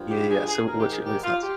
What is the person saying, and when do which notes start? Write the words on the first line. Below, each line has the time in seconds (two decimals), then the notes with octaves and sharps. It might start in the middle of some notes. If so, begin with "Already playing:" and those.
Yeah, yeah, yeah, so, what's your what are your thoughts?
Already playing: G2 F3
0.09 G4
0.29 G#4
0.48 G#4
0.66 G#2 D#3 A#4
0.78 G4
0.91 G#4
1.04 G4
1.23 F4
1.41 G4